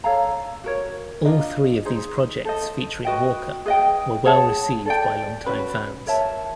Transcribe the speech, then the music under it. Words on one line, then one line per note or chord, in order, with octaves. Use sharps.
All three of these projects featuring Walker were well received by longtime fans.
A4 C#5 F5 A#5
F#4 A#4 C#5
D4 F4 A#4 D#5
D#4 G#4 C5
A4 C5 D#5
F#4 B4 D#5 G5
G#4 B4 D#5 G5
G#4 C#5 F#5 A5
A4 D5 G5
C#4 F#4 B4
A#4 C#5 E5 A5